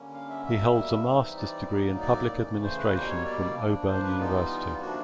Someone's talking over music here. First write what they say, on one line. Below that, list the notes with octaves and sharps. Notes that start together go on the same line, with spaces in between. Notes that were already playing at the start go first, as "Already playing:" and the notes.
He holds a master's degree in Public Administration from Auburn University.
Already playing: D3 G3 A#3 C#4
F5
E5
B2 G3 A#3 E5
E3 G3 C4 D#4
D5
A2 F#3 A#3 D#4
D5
C#3 E3 A3
C5
B4
B2 G3 A#3 C5
C#5
D5
F3 A#3 D4
C5
B4
E3 G3 B3 D#4 F4
C3 F3 A#3 D4 F#4